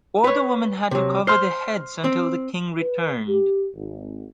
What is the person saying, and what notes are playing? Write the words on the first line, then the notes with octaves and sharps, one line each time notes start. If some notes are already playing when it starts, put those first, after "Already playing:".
All the women had to cover their heads until the king returned.
B4 C#5
C3 F#3
C5 C6 F6 C7
C4
B4
G4
G#1